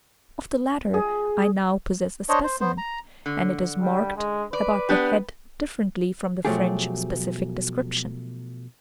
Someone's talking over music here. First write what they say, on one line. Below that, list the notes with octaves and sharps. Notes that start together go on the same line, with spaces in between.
Of the latter I now possess a specimen, and it is marked about the head differently from the French specific description.
G#4
D4 C5 C#5 D#5
C5
B3 C5
A#5
D3
G3
G#3
B4 D5
B3 D4 G4
B2 F3 F#3 A3 G4 G#4